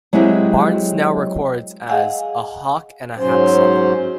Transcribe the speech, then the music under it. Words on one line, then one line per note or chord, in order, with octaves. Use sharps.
Barnes now records as A Hawk and a Hacksaw.
F#3 G#3 C4 E4 G4 G#4
G#4 D#5 F5 F#5 G#5
G#2 F#3 C#4 C5